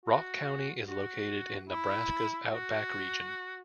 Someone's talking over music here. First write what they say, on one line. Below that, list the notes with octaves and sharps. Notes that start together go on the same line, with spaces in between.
Rock County is located in Nebraska's Outback region.
F#4
F#4
E4
F#4